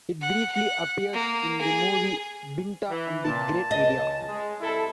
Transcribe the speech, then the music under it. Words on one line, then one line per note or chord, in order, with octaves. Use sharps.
It briefly appears in the movie Binta and the Great Idea.
F#5
F#5
A#3
G#4
E3
A#2 A5
C#2 D#5
G#3
C2 E4 A4